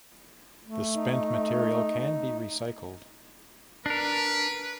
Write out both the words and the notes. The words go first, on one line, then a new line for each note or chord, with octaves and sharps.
The spent material can be recycled.
A3
D#4
D4 A#4 B4